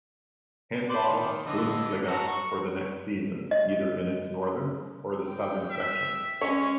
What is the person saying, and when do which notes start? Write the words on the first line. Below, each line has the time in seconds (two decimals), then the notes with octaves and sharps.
Handball-Bundesliga for the next season, either in its northern or the southern section.
0.89 B4 C5 D5
1.08 D#3
1.46 D3 E3 D#5
2.06 F#4 A4 A#5
2.28 C#6
3.51 D#5
5.28 G5
5.71 E5
6.42 G#3 C#4 C#5